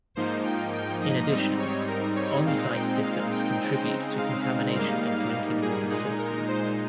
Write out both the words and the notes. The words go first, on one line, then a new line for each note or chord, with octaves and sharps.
In addition, onsite systems contribute to contamination of drinking water sources.
G#2 F3 A#3 D#4 C5
G5
G5
D#5
G#2 G3 C4 D#4
C#5
A#4
C#5
A#2 G#3 C4 D#4 F5
G5
F5
G5
C#3 G#3 C4 D#4
F5
G#2 G3 A#3 D#4 F5
G#4
A#2 G#3 D#4 G#4
A#4
C5